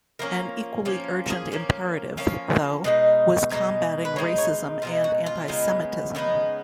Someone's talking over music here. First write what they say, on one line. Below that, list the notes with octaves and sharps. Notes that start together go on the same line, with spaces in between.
An equally urgent imperative, though, was combating racism and anti-Semitism.
F3 A#3 C#4 A#4
F3 A#3 C#4
A#4
G#4
F3 A#3 C#4
F3 A#3 C#4 F5
B2 G#3 D#4 D#5
B2 G#3 D#4
B4
B2 G#3 D#4 C#5
C#5
B2 G#3 D#4 F4
F#4
F4
C#3 G#3 B3 D#4
C#3 G#3 B3 D#4